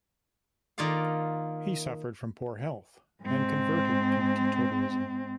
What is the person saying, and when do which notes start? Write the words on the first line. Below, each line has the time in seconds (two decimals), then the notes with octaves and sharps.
He suffered from poor health and converted to teetotalism.
0.78 D#3 A#3 F4 D5 F5
3.22 G#2 C4